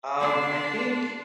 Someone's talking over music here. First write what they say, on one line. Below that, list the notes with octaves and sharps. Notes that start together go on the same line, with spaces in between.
Um, I think
D4 C6